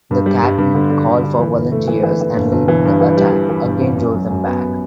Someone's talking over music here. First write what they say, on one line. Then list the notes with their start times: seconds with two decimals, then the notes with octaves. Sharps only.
The captain called for volunteers, and leading the attack, again drove them back.
0.11 G2
0.26 G3
0.42 G2
0.58 G2
0.75 D3
0.90 D3
1.07 D3
1.23 D3
1.39 E3
1.55 G1
1.72 A3
1.88 E3
2.03 E3
2.21 E3
2.36 G1
2.52 G1
2.68 E3
2.85 G2
3.01 E3
3.17 G3
3.33 E3
3.49 E3
3.65 G2
3.81 A1
3.98 F#2
4.14 F#3
4.30 F#2
4.47 B3